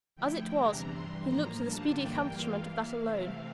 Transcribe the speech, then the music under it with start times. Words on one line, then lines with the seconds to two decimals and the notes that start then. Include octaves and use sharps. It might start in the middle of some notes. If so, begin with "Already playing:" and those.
As it was, he looked to the speedy accomplishment of that alone.
0.16 D3 F3 A3 E4 G5
0.52 E2 C3 E3 G3 D4 A#5
0.88 G2 E3 G3 C6
1.24 A2 F3 A#3 A#5
1.60 D3 G3 D4 F4 A5
1.96 G2 E3 G3 A#3 G5
2.32 G2 E3 A#3 F4 F5
2.68 E3 A#3 E4
3.04 C3 E3 A3 C4 E4